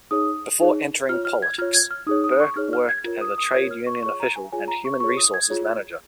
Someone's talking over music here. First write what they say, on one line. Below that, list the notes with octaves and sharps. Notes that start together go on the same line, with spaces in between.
Before entering politics, Burke worked as a trade union official and human resources manager.
D#4 G#4 C#5 D#6
D#4 G#4 C#5
F4 C#5 F6
F6
G#6
F4 C#5 F6
G#6
F6
D#4 G#4 C#5 D#6
D#6
C#6
D#4 G#4 C#5 F6
F6
G#6
F4 A#4 C#5
D#6
D#6
F4 A#4 C#5 G#6
F6
C#6
F4 G#4 C#5 C#6
A#5
G#5
F4 G#4 C#5 G#5
A#5
C#6
F4 G#4 C#5 C#6
D#6
G#6
F4 G#4 C#5